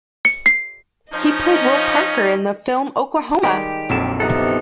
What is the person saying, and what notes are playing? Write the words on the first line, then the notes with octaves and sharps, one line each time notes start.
He played Will Parker in the film Oklahoma!
C#7
C7
F3 C#4 D#4 D#5
D#3 G3 G#3 G4
A#1 F2 F#3 A4 E7
C3 F3 B3 D#4 A4 F#5